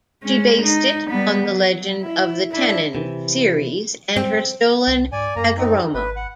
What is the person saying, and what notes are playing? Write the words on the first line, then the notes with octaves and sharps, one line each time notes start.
She based it on the legend of the "tennin" Ceres and her stolen "hagoromo".
G#3 C#4
D#4
G3 B3
F#3
E4
D4 E4
C3 E3
C4
C2
G#2 D5 G#5
F#2 A#3 A#5
C4 D#4
G#1 B4
F#5